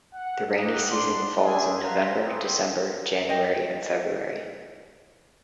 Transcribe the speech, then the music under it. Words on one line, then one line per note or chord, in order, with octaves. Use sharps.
The rainy season falls in November, December, January, and February.
F#5
G3 A#3 B3 D#5 F#5
D4 C6
C#4 D4 G#4 C5 E5 G#5
B4 C5 F5 F#5 A#5
G3 B3 C4 F4 G#4
D#5 G5